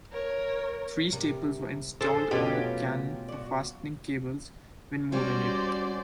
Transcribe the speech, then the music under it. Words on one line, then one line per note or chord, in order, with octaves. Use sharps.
Three staples were installed on the cannon for fastening cables when moving it.
A#4 C#5
C3 G3 A#4
D3 G#4 A4 C5
D2 B2 F#3 C#4 F4 G4 B4
F#4 D5
G3 C#4 F#4 C5 D5